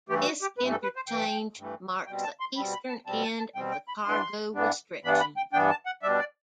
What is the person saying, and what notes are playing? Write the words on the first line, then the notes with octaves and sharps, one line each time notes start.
This interchange marks the eastern end of the cargo restrictions.
G2 E3 A3 G4
F#4
G4
G2 E3 A3 B4
A4
B4
C5
G2 E3 A3 G5
G2 E3 A3
B2 G3 C4 G5
A5
C6
B2 G3 C4 B5
B5
A5
B2 G3 C4 A5
A5
A5
B2 G3 C4 G5
G5
B5
G2 E3 B3 D4 C6
G2 E3 B3 D4
G2 E3 B3 D4 B5
B5
G5
G2 E3 B3 D4 G5
A5
F#5
B2 G3 D4 E5
D5